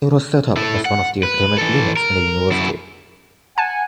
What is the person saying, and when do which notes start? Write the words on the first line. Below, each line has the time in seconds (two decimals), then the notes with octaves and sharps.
It was set up as one of the academic units in the university.
0.57 E4 A4
0.85 F#5
1.23 B4
1.58 E3 A4
1.97 A#4
2.52 F#2 E4
3.58 F#5 G#5 A5